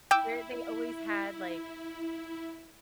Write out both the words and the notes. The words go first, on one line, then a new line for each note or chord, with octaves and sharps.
Where they always had, like,
E4 G5 D6 E6